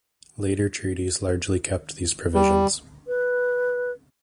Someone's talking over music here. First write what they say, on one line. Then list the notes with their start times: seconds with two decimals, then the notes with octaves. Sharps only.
Later treaties largely kept these provisions.
2.35 G3
3.07 B4